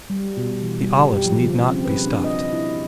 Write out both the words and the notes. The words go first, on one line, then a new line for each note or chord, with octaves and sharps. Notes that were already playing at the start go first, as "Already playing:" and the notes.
The olives need not be stuffed.
G3
B2
E3
G3
G4
F3
C#3
C4
B4
D4
D#5
E4